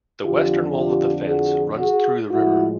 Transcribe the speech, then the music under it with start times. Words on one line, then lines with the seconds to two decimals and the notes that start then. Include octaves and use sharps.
The western wall of the fence runs through the river.
0.24 F2 D3 F3 F4 G4
0.76 F4 G4
1.28 F#4 G#4
1.79 F#4 G#4
2.31 A2 F3 G#3 E4 F#4